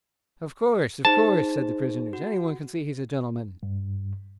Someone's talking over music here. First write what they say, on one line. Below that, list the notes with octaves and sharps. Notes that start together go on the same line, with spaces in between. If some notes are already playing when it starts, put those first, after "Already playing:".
"Of course--of course," said the prisoners;--"any one can see he's a gentleman!"
D#4 G#4 C5 A5
F#4
G2